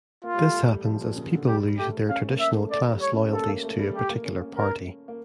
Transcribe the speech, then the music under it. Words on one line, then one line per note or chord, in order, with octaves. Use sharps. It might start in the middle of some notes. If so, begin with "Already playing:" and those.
This happens as people lose their traditional class loyalties to a particular party.
A#3 F4
G3
A3
G3
G3
F3
A#2
C#3
D3
G3 G4
A3 G4
C#4 F5
A#3
E5
A3
A3 D5
G3
C#5
C#4
A3
A#3 A4
A#3
A3
G3
A3 G4
A#3
C#4
A#3
A#4
A#3